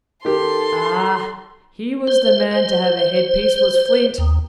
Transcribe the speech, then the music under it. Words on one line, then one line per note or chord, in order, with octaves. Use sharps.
Ah, he was the man to have a headpiece, was Flint!
D#3 G4 A4 C6
C5
C5
D#2